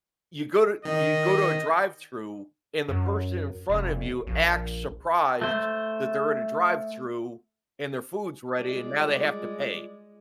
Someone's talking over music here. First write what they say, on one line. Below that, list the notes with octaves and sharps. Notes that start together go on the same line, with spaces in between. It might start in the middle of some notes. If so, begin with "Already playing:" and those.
you go to you go to a drive-thru and the person in front of you acts surprised that they're at a drive-thru and their food's ready and now they have to pay.
D#3 D#5
F#2
F1
A#1
A3 C5
G3 G#3 F4 D5